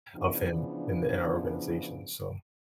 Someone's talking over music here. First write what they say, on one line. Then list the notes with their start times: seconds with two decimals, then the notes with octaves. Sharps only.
of him in the in our organization, so
0.16 C#3 E3 F3 B3 D4